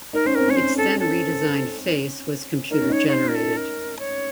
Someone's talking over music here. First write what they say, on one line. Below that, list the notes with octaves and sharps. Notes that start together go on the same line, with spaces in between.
Its then redesigned face was computer generated.
D#4 A#4
C#4 C5
C4 A#4
C#4 C#5
C5
A4
A4
D#4 A#4
C#4
D#4 C#5
C#5
C5
A#4
A4
A#4
C#5